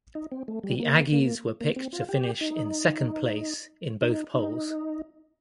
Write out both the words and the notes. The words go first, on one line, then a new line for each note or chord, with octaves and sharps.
The Aggies were picked to finish in second place in both polls.
D#4
C4
A3
G3
A#3
A#3
A#3
C4
F4
G4
D#4
D#4
D#4